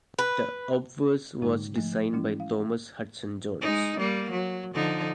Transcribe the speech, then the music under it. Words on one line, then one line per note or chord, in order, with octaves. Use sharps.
The obverse was designed by Thomas Hudson Jones.
B4
G#2 D3 G#3 D#4
F3 A3
E3 G#3 C#4 E4
F5
G#3 D#4
G3 A#3
F#3
D3 F3 D#4